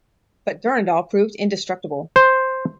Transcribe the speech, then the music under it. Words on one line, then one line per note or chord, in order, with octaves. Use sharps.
But Durendal proved indestructible.
C5